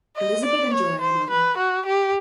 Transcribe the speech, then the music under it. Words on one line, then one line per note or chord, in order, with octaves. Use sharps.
Elisabet and Joana.
D#5
D5
C#5
C5
B4
F#4
G4